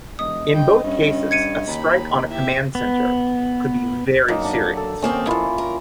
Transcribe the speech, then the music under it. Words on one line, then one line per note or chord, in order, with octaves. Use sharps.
In both cases a strike on a command center could be very serious.
E1 D#5 D#6
G2 G5
G2 C#4
G#6 C#7 D#7
D#2 B5
E4 G4 E5
B3
F#2 A#3 D#4
D4 F#5
A4
D#2 A#3 C4 C#4 G5 D#6
F2 G#2 A#3 E4 F4
A#4